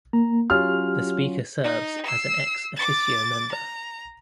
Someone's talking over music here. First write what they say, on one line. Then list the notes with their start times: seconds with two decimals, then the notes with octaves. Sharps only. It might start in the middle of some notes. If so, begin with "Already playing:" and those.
The speaker serves as an ex officio member.
0.13 A#3 A#5
0.50 F#3 C#4 F4 G4 F6
1.64 D#4
2.06 E6 C7
2.77 D6 A6
3.52 A#5